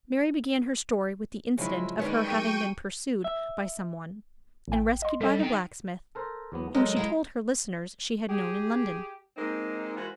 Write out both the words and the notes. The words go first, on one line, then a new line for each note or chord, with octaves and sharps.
Mary began her story with the incident of her having been pursued by some one, and rescued by the blacksmith, whom she told her listeners she had known in London.
C#3 F3 F#3 G#3 E4
D#3 G#3 D4 B4 C#5 G5 C#6 D#7
F#3 A#3 G#4
E5
A1 G5
D#5 C6
G3 A4 D#5
D#4 G5
A4 A#4 C5
E2 F#3 B3
F#3 G#3 A4 A#4 C5
E4 F5 A#5
G4 G#4
G#3 A#3 C4 D#4
E3 G#3 F4 F#4 A#4 C5